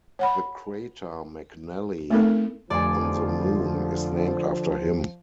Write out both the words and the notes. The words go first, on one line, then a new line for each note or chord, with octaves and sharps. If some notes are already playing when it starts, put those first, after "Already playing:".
The crater McNally on the Moon is named after him.
C#5 F#5 B5
A3 B3 C4 D#4 A4 A#4
F1 D3 F3 F4 D5 G#5